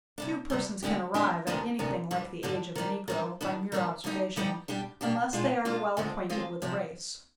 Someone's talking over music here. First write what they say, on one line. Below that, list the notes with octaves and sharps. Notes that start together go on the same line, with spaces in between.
Few persons can arrive at anything like the age of a Negro, by mere observation, unless they are well acquainted with the race.
C3 G3 D4
C3 G3 D4
D3 G#3 B3 D4 G4
D3 G#3 B3 D4 G4
D2 C3 D#3 B3 D4
D2 C3 D#3 B3 D4
G2 D3 G3 D4
G2 D3 G3 D4
D#3 G3 D4
D#3 G3 D4
D#3 G3 B3 D4
D#3 G3 B3 D4
D3 G3 B3 D#4 G4
D3 G3 B3 D#4 G4
B2 G3 D4 G4
B2 G3 D4 G4
B2 G#3 D4 F4
B2 G#3 D4 F4
D2 D3 G#3 C4 F4
D2 D3 G#3 C4 F4
C3 F3 C4 G4